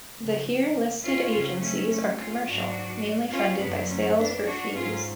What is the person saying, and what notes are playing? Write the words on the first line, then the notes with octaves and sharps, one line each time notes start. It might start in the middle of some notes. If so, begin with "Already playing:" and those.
The here listed agencies are commercial, mainly funded by sales or fees.
D2 C#3 F3
C#4 F4
F2 C#3 F#3
A3 C#4
A3 C#4
C#4 F4
G#2 F#3 D4 F#4
C#4 F4
F#2 D3 F#3 B3 D4
A3 C#4
B3 D4
D4 F#4
G#2 F#3 C#4 F4